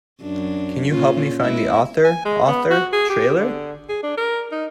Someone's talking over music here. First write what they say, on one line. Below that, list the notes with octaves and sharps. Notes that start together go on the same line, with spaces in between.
Can you help me find the Author! Author! trailer?
F#2 D4
A#2 C#4 F4
G#3 A#3 E4
G#5
G#3
B3
F#4
G#4
G4
D3
G#4
D4
A#4
D#4